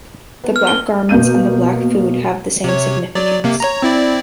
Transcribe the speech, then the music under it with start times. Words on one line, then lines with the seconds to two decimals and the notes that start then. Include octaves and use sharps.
The black garments and the black food have the same significance.
0.44 B3
0.56 F6
0.67 G7
1.09 B2 A#3 G6 D#7
2.64 C3 C#5
3.15 F#3 D5
3.44 C3 A#3
3.60 C#5 A#5
3.82 C4 E4 D5